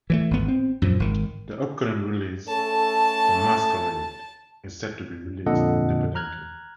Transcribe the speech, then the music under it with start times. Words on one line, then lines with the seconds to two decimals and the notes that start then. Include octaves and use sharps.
Their upcoming release The Masquerade is set to be released independently.
0.10 E3 F3 A3
0.31 G#1 B3
0.48 C4
0.82 F#2 A#2 F3
1.00 G#1 D#3
2.48 A3 C#4 A4 A5
5.46 F2 A#2 D3 A4 D#5 F#5
6.15 A#5 F6 F#6 G#6